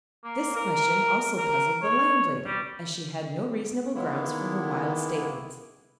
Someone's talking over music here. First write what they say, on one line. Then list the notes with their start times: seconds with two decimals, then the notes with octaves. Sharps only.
This question also puzzled the landlady, as she had no reasonable grounds for her wild statements.
0.24 A#3
0.56 A#4
1.37 A#4
1.82 C#5
2.46 G3
3.95 D#3 G#3 A#3 B3 E4